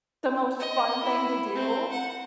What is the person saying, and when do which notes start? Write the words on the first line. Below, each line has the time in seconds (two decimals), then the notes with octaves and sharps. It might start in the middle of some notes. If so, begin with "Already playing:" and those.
the most fun thing to do,
0.60 D#5
1.03 E4
1.55 C4
1.92 F#5